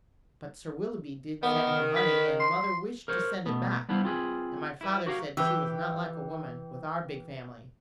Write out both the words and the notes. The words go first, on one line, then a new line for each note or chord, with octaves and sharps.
But Sir Willoughby did send him money, and mother wished to send it back, and my father said she was not like a woman--with our big family.
D#3 B3
B4
C6
A#4 C5 C#5
B2 A3 B3
G3 B3 D4 E4 C5 F5
C4 F4 G#4 B4
E4 B4
F#4 G4 A#4 C#5 F5
E3 G4 B4 G5 E6